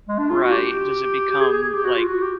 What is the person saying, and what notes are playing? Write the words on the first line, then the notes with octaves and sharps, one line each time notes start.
Right, does it become, like,
G#3
D4
F4
F#4
G4
G4
G#4
G#4
G#4
G4
F#4
F4
F#4
G4